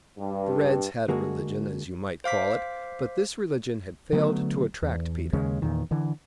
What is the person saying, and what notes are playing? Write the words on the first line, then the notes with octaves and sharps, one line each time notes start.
The Reds had a religion, as you might call it; but this religion had failed to attract Peter.
G2
D3 G#3 A#3 F#4 G#4
C5 F5 D6 B6
D3 F#3 A3 B3
E2
D#2 C#3 G#3 C#4
E2 A#2 D#3
D3 E3